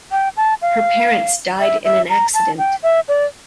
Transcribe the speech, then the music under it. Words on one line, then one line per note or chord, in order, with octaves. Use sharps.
Her parents died in an accident.
G5
A5
F5
E5
E5
A#5
A5
G5
E5
D5